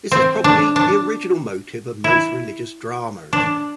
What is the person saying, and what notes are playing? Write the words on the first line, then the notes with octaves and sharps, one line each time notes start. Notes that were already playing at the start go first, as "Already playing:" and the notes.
This is probably the original motive of most religious dramas.
C4
D4
D4
E4
D4